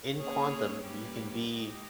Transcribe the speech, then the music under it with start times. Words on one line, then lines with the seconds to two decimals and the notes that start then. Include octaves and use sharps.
In quantum, you can be
0.15 A#3 C#4 G#4 C#5
0.83 G3 A#3 C#4 G4 B4
1.50 G#3 D#4 G4